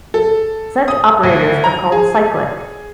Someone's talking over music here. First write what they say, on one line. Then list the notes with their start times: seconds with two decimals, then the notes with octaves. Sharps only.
Such operators are called cyclic.
0.14 A4
0.88 D#6
1.23 D2
1.64 A#5
1.92 G#4